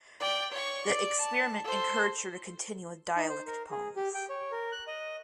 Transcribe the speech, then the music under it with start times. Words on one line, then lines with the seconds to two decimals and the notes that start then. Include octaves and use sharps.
The experiment encouraged her to continue with dialect poems.
0.20 D5 G5
0.52 C#5 C#6
0.86 D5
1.17 A5
1.64 A4 C5
3.16 D#4
3.29 C5
3.47 A#4
3.71 G#4
3.96 G4
4.14 G5
4.29 C#5
4.52 A#4
4.72 F#6
4.87 D#5